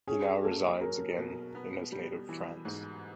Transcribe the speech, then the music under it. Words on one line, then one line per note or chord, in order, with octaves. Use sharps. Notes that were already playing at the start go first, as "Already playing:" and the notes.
He now resides again in his native France.
C#4 G#4
A#3 A4
F#3 A#4
B2
B3
G3
E3
G#2